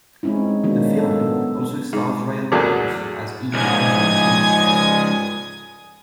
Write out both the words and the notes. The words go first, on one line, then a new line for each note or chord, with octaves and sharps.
The film also stars Ryan Reynolds as E. Randol Schoenberg.
G#3 C4 C#4 D#4 E4
D#3 F#3 G#3 A#3 B3 D4
C#4 A4
B3
G#2
E2 F#3 A3 A#3 G#4 D5
C#2 G#2 G#5 D#6 G#6